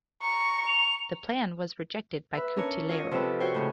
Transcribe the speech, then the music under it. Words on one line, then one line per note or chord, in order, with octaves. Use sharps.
This plan was rejected by Cutileiro.
A#5 C#6
F7
B4 E5
C#4 D4 A#4 C#5
F4 C#5 D#5
C3 F3 C4 A4 B4
F#4 C5 C#5 G5
A2 C#3 C#4